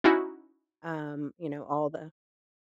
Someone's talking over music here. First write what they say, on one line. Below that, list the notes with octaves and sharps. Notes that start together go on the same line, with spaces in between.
um, you know, all the
C#4 D#4 E4 F#4